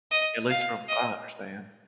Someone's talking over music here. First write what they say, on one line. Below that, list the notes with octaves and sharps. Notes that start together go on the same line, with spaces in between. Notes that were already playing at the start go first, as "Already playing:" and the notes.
at least from what I understand.
D#5
F5
D#5